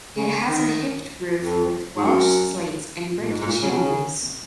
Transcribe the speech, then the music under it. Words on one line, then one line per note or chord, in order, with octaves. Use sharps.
It has a hipped roof with Welsh slates and brick chimneys.
C#3
D#3
F2
G#2
F#2
A#2
G#2
G#2
A#2
C#3
B2
C#3